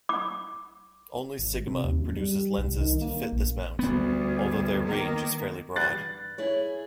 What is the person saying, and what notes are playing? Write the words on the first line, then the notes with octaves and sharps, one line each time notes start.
Only Sigma produces lenses to fit this mount, although their range is fairly broad.
D6
G#1
C3
D#2
F#2
G3
C2
D#3
A#3
A#1
D2 G3 B3
D#3 A#3
G2 F#6 A6
E4 G#4 C#5